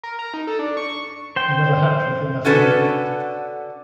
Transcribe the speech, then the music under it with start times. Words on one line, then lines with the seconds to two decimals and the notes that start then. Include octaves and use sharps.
He got a hatrick in that innings.
0.03 A#4
0.19 A#5
0.34 D#4
0.47 A4
0.59 D4
0.77 C#6
0.89 C#6
1.36 C5 G5
2.45 D3 C#4 F#4 A4 B4